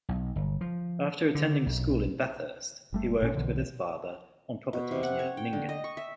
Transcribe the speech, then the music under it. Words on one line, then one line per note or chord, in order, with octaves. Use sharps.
After attending school in Bathurst, he worked with his father on properties near Nyngan.
B1
G1
F3
D3
B1
F#1 G3 A3
A1 A#2 C#4
B1 B2 D3 E3
B2
C3
F#5
C#5
G5
D3
D#5
C#6
E5